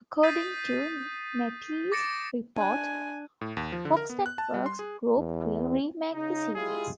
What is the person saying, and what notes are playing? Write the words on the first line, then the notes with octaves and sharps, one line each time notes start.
According to Netease Report, Fox Networks Group will remake the series.
D#6 G6 A6 B6 C7 D#7
D6 A6 A#6 C#7 D7 E7
D4 G#5 F#6
A2
D#2
F3
D3
A#4
B3
F#6
A5
G3
C6
G#4
E2
C#3 D#4
G#3 E4 F4 G4 G#4